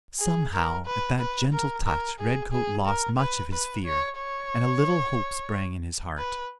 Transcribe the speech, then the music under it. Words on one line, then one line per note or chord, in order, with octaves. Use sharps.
Somehow at that gentle touch Redcoat lost much of his fear, and a little hope sprang in his heart.
G#4
A#4
B4
B4
A#4
A#4
G#4
G#4
A#4
B4
B4
C#5
C#5
B4